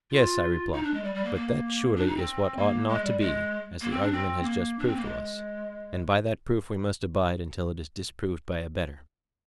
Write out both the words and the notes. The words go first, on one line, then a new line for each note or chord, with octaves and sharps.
Yes, I replied; but that surely is what ought not to be, as the argument has just proved to us; and by that proof we must abide until it is disproved by a better.
F4
D#4
D4
G#3
G3
G3
A#3
A#3
D4
D#4
C4
A#3
G#3
G3
G#3
A#3
C4
D4
C4
A#3
D4
C4
A#3
G#3